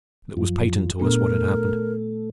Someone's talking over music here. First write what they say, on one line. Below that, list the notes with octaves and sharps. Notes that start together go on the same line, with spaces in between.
It was patent to us what had happened.
F#2 F3
A#2 A3 B3 D4 A#4